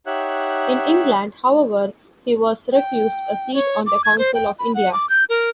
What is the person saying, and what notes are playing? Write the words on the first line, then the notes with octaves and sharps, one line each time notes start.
In England, however, he was refused a seat on the Council of India.
D#4 G4 C#5 E5 F#5 F#6
G5
C#5
D6
G#6
C5
G5
B5
F#5
D6
G6
A#4